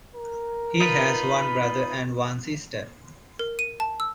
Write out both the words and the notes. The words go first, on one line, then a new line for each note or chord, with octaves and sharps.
He has one brother and one sister.
A#4
D#4 F4 B4 B5
A#4
D#7
A5
E6